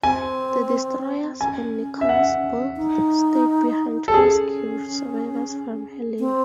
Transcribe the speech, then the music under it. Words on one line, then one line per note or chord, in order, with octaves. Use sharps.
The destroyers and "Nicholas" both stayed behind to rescue survivors from "Helena".
C4 G#5
C#4 G#5
E5
F#5
D#4
A4
C#4 G#4
C4